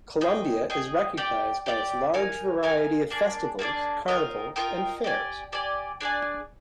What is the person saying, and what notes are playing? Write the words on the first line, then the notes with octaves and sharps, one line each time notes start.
Colombia is recognized by its large variety of festivals, carnivals and fairs.
G#4 D#5 G5
G#4 D#5 G5
G4 D5 G5
G4 D5 G5
D#4 A#4 F5 G#5
D#4 A#4 F5 G#5
A#3 D4 G#4 D5
A#3 D4 G#4 D5
F4 A#4 D#5 G5
F4 A#4 D#5 G5
G4 D5 G#5
G4 D5 G#5
D4 G#4 D5 G#5